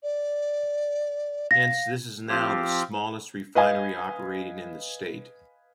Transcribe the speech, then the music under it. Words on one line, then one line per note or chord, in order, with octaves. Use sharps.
Hence, this is now the smallest refinery operating in the state.
D5
F5 A#6
F3 C4 F4 G4
B4 D#5 F5 G#5